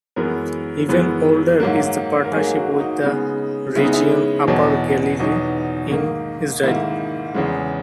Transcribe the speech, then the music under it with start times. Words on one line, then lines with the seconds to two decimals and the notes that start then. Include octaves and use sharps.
Even older is the partnership with the region Upper Galilee in Israel.
0.16 F#2 E3 G#3 B3 A#4
0.88 F#2 E3 G#3 B3
1.60 G#2 F#3 A#3
2.25 A#4
2.32 G#2 F#3 A#3 G#4
2.56 F#4
2.80 D#4
3.04 C#3 G#3 B3
3.76 C#3 G#3 B3 E4
3.85 D#4
3.93 E4
4.47 E2 B2 F#3
5.20 E2 B2 F#3 D#4
5.91 G#2 D#3 A#3
6.63 G#2 D#3 A#3 E4
7.34 E2 C#3 G#3